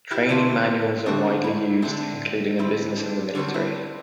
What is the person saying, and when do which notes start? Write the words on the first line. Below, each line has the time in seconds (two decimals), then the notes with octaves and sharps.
Training manuals are widely used, including in business and the military.
0.11 E4 G4
0.29 D3 A3 C4
1.06 D3 A3 C4 D4 F#4
1.44 E4
1.82 D3 A3 C4 D4
2.59 D3 G3 C4 E4
2.97 D4
3.35 D3 G3 C4 D4 F#4
3.48 F#4
3.54 E4